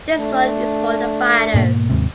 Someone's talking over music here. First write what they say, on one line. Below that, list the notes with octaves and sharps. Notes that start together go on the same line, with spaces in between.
This one is for the fighters.
A3 D4
G#2 B2 A#3
D#2 G#2 C3